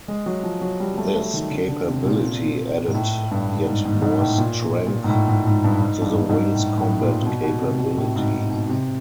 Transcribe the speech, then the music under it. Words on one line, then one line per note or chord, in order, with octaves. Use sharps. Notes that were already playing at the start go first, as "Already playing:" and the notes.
This capability added yet more strength to the wing's combat capability.
G#3
F#3
F3
F#3
G3
A3
A3
D#3
D3
D3
C3
A#2
G#2
A2
G2
G#2
G#2
G#2
A2
A#2
A#2
A#2
G#2
A2
G#2
G#2
G2
G#2
G2
G#2
G#2
A2
A2
A#2
C3
B2
B2
C3
B2
A2
G#2
B2
C3